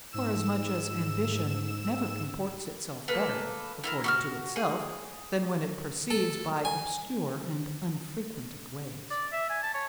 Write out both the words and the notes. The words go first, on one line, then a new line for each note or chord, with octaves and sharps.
Forasmuch as ambition never comports itself better, according to itself, than when it proceeds by obscure and unfrequented ways.
G#2 E6 E7
A#3 A4 B4
E4 F4 A#4
F#4 D#6 F6
G#4
A4
G#5
D5
E5
G#5
A5
C#5